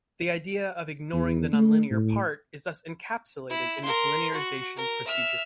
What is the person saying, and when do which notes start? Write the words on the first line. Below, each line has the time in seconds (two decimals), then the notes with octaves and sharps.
The idea of 'ignoring the nonlinear part' is thus encapsulated in this linearization procedure.
1.13 E2
1.53 A3
1.91 A2
3.50 E4
3.83 A#4 C6
4.34 F#4
4.76 A#4
5.07 E5 F6